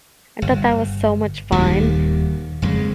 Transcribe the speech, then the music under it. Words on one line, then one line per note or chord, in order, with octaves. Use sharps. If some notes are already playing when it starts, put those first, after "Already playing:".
I thought that was so much fun,
G1
D#1 D#2 D#3 G3
F#1 F2 G#3